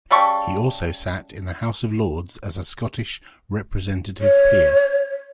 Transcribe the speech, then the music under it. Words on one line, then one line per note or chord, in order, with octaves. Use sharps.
He also sat in the House of Lords as a Scottish representative peer.
C#3 G3 A4 C#6
C#5